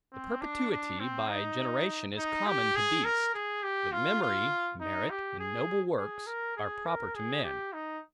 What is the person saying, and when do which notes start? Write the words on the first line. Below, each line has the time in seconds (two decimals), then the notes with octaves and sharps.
The perpetuity by generation is common to beasts; but memory, merit, and noble works, are proper to men.
0.12 C4
0.41 D4
0.71 D4
1.00 C4
1.29 D#4
2.17 D#4
2.47 G4
2.75 G#4
3.04 A#4
3.34 G#4
3.63 G4
3.92 F4
4.22 F4
4.80 D#4
5.10 G4
5.40 G#4
5.97 G#4
6.27 A#4
6.56 G#4
6.86 A#4
7.15 G#4
7.43 G4
7.73 D#4